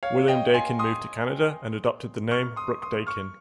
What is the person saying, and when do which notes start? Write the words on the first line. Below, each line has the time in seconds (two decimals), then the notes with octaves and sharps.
William Daykin, moved to Canada, and adopted the name Brooke-Daykin.
0.03 C#5 F5
0.28 D#5 G5
0.54 G#5 C6
0.79 C6 D#6
2.31 C#6 F6
2.56 C6 D#6
2.82 C6 D#6
3.07 C#6 F6